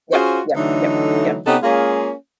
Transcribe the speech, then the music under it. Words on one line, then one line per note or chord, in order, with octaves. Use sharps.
Yep, yep, yep, yep.
C#4 F4 F#4 G#4 C5
D3 E3 F#3 A3 D#4
C3 B3 C#4 D#4 G4 A4
G#3 A#3 C#4 F4 G#4